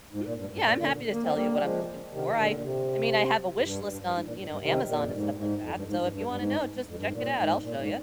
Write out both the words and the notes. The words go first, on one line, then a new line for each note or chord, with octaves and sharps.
Mhm. Yeah, I'm happy to tell you what I'm looking for, I I mean, I have a wish list on, you know, Amazon and stuff like that, so, if you wanna know, just check it out, I'll show you.
G#2
A#2
G2
G2
A#2
A#2 D3
A#3
C4
G3 A#3
G3
F3 G#3
C3 D#3
D#3
A#2 D3
A#2
C3
F2
G2
G2
G2
G#2
A#2
G2
G2
C3 D#3
A#2
F2
G2
G#2
G#2
F2
G2
G#2
G2
G2
G2
G#2
F2
G2
G#2
A#2
G#2
A#2
G#2